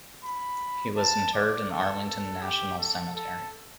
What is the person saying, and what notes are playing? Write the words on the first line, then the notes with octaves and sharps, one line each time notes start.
He was interred in Arlington National Cemetery.
B5
A5
D5
A4
A4
G4
A4
A4